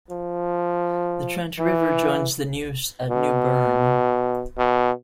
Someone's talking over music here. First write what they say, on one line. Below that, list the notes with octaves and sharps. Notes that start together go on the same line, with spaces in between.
The Trent River joins the Neuse at New Bern.
F3
E3
B2
B2